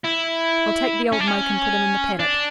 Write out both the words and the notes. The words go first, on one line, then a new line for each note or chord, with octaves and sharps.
I'll take the old moke and put him in the paddock.
E4
C#4
D4
C#4
D4